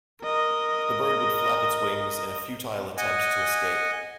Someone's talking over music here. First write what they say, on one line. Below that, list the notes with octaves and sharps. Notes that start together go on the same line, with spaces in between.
The bird would flap its wings in a futile attempt to escape.
A#4 D#5
D#5 F#5 G#5